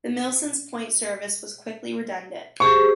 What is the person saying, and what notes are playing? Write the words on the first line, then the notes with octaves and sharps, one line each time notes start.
The Milsons Point service was quickly redundant.
G4 G#4 C5 C#6